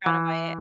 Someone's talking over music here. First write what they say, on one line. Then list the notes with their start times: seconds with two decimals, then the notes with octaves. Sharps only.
brown or white?
0.06 E3